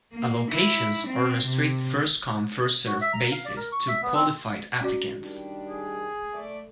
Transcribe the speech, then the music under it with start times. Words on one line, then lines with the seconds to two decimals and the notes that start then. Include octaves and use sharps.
Allocations are on a strict first-come, first-served basis to qualified applicants.
0.13 A#3
0.52 E4
1.08 C4
1.47 C3
2.86 F#4
3.01 E5
3.13 A#5
3.32 F5
3.45 D5
3.57 A#4
3.72 C#6
3.88 E5
4.03 B3
4.14 C4
4.81 C#4 F#4 D5
5.23 D#3 G3 D4
5.68 G#4
6.33 A3 D5